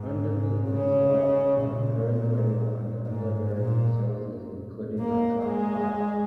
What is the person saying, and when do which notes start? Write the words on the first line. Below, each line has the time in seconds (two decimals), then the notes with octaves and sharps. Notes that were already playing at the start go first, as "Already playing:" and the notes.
Underneath the slab are ground-level and underground facilities, including a car park.
Already playing: G#2
0.68 C#3
1.64 A#2
3.08 G#2
3.55 A#2
4.99 A#3
5.47 G#3